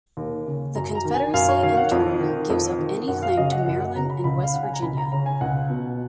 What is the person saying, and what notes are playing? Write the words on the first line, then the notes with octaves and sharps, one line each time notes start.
The Confederacy, in turn, gives up any claim to Maryland and West Virginia.
D#2
C#3
F#2 A#5
A#5
D#3
G#5
F#2 F5
C#5
D#3 F5
F#5
F2
D#3
F2
D#3
F#2 F#5
F5
C#3 D#5
F#5
F#2 F#5
F#5
C#3 A#5
B5
C#2 B5
F5
C#3 F#5
G#5
A#5
C#2 B5
A#5
C#3 A#5
G#5
C#2 F#5
B2